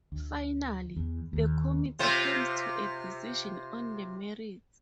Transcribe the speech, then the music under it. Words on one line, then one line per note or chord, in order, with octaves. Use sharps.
Finally, the Committee comes to a decision on the merits.
D2
E2
D#2
C3 F4 C5